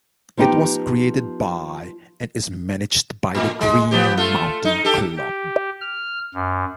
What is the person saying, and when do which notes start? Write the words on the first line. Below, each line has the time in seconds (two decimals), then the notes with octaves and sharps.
It was created by and is managed by the Green Mountain Club.
0.37 F3 B3 D#4 G4
3.35 A2
3.61 G#3
3.91 F3 B3 G4
4.17 A3 F4
4.65 D#4
4.85 G4 A4
5.16 G4
5.81 F6
6.34 F#2